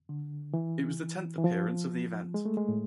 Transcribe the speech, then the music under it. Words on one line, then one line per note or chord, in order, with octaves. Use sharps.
It was the tenth appearance of the event.
D3
E3
E3
F3
G#3
A3
G#3
A2